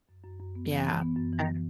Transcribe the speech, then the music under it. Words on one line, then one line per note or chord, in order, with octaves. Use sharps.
Yeah. I
F#2
F#2
F#2
B3
E3
E3
B3
F#2
E3